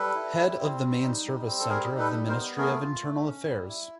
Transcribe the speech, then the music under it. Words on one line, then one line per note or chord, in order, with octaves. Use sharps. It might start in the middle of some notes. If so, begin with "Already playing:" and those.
Head of the Main Service Center of the Ministry of Internal Affairs.
Already playing: G3 A4 B4
E4
G3
C4
G3
D#4
G3
C4
A4
G3 G#4 A#4
D#4
A4 B4
G3
A#4 C5
B3
A3 G#4 A#4
F4
A3
C#4
G3
E4